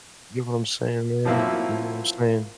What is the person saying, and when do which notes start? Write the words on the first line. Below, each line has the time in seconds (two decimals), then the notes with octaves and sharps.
You know what I'm saying, man? You know what I'm saying?
1.25 A2 F3 F#3 A#3 C4 E4